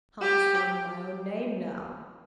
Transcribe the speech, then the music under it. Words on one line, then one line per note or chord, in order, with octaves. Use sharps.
I can't sign my own name now.
G4